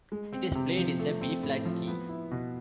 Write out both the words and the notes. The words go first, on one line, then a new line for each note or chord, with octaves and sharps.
It is played in the B flat key.
G#3
C4
C3
F3
A3
C4
A2
F3
B3
E4
B2